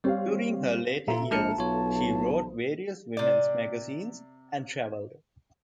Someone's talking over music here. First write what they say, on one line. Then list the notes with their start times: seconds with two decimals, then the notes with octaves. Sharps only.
During her later years, she wrote various women's magazines and traveled.
0.04 G3 C4 G4 C#5 F5
1.08 A#2 F4 A4 E5 A#5
1.31 A#1 G#3 A5 F6 C#7
1.59 B1 F4 C#5
3.17 C3 D5